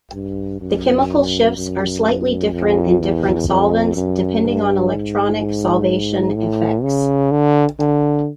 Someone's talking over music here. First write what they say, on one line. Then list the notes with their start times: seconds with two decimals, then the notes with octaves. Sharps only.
The chemical shifts are slightly different in different solvents, depending on electronic solvation effects.
0.13 G2
0.61 F#2
1.57 F#2
2.53 F2
3.01 E2
3.48 F2
3.96 F#2
4.44 G2
4.92 G#2
6.36 A2
6.83 C#3
7.32 D3
7.79 D3